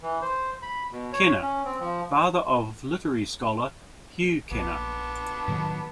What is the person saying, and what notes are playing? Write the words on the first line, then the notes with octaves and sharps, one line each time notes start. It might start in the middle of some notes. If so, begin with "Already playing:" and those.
Kenner, father of literary scholar Hugh Kenner.
E3
C5
B5
B2
C#5
C#4
C4
F3
A#1 B3 A5 D6
A2 D#3 F#3